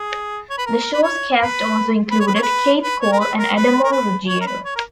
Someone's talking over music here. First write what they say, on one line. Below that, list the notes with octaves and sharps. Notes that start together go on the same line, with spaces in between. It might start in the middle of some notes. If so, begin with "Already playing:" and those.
The show's cast also included Keith Cole and Adamo Ruggiero.
Already playing: G#4
C#5
B4
A#4
B4
C#5
B4
B4
C#5
B4
C#5
B4
B4
C#5
A#4
B4
A#4
B4
A#4
B4
C#5
A#4
B4
C#5
A#4